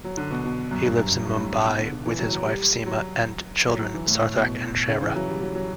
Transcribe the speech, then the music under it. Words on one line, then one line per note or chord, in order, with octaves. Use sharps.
He lives in Mumbai with his wife Seema and children Sarthak and Shreya.
F#3
D3
B2
B2
F#2
G2
F#2
G2
G2
A2
B2
B2
D3
D3
E3
F#3
F#3
G3
F#3
F#3
F#3
E3
A2
A2
B2
C#3
E3
F#3
G3
F#3
F#3